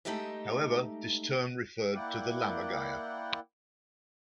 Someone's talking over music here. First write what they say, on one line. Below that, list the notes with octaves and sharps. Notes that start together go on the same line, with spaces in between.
However, this term referred to the Lammergeier.
G#3 A3 D#4 G4 D#5 E5
A#3 E4 D5 F#5 G5